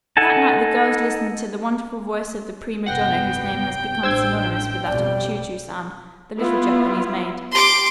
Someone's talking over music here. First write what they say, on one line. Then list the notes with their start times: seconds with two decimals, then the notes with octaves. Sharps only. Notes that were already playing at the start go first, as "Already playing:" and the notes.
That night the girls listened to the wonderful voice of the prima donna whose name has become synonymous with that of "Chu Chu San," the little Japanese maid.
0.17 D#4 A4 F#5 G#5 A5
2.86 F1 G2 B3 F#5 G5 A#6 C7
4.03 A1 D4 C5 E6 G#6
4.88 B1 F2 G3 D5
6.37 B3 E4 F4
7.52 G4 C6 D6